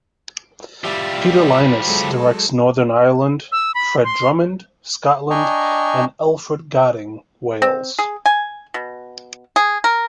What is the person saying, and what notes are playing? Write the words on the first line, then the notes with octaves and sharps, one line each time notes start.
Peter Lynas directs Northern Ireland, Fred Drummond, Scotland, and Elfed Godding, Wales.
F3 G3 G4 D5 E5
F#3 G#3 A4
E6
B5
C6
D4 D#5 G5 G#5 A#5 C#6
C4
G#4
G#5
B2
G#4
A#4